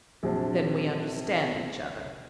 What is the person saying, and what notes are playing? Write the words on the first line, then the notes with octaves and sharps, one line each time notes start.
"Then we understand each other."
A#1 C3 F#3 C4 D4 A5